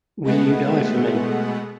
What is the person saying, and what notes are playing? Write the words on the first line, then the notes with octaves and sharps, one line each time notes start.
Will You Die For Me?
B2 G#3 A3 B3 F#5